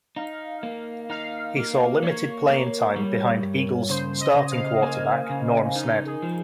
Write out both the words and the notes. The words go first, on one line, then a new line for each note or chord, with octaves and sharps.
He saw limited playing time behind Eagles starting quarterback Norm Snead.
D#4 F5
A#3
D#4 F5
A#3
A#3 C#5
A#3 A#4
G3
G2
C#3 C5
D#5
C#3
F5
A#3 G#5
C#3
D#4 A#4
G#4
F3